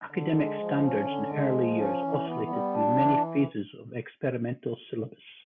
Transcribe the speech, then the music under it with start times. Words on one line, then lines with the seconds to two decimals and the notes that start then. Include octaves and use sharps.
Academic standards in the early years oscillated through many phases of experimental syllabus.
0.11 D3
0.35 G#3
0.59 F3
0.83 C#4
1.07 D3
1.31 G#3
1.55 F3
1.79 C#4
2.03 E3
2.27 B3
2.50 G3
2.74 D4
2.98 E3